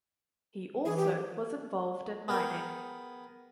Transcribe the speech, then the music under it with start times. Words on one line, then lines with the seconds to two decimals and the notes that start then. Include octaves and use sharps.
He also was involved in mining.
0.86 E3 G#4
0.97 G4
2.28 B3 G#4 A#4 G5 G#5